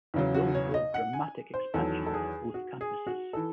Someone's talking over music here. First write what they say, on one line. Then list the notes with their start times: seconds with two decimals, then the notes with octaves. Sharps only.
Bill drove dramatic expansion of both campuses.
0.14 E2 C#3 F#3
0.34 F#4
0.55 C#5
0.74 D#5
0.94 F#5
1.13 G#5
1.54 C5
1.74 E2 D#3 F#3 A4
2.06 A4
2.14 G#4
2.54 F#4
2.81 G#4
3.07 F#4
3.33 E3 A4